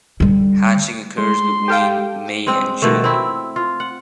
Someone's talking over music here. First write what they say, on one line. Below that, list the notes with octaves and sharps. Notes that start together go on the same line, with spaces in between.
Hatching occurs between May and June.
D3 G3
G#3 C6
G4 A4 F5 G5 F6 G6
G#3 C4
B2 D#3 F3 A3
C4 E4
F4
F#5